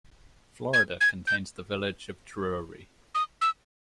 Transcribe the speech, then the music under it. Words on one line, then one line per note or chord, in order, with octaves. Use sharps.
Florida contains the village of Drury.
G#6
G#6
G6
D#6
E6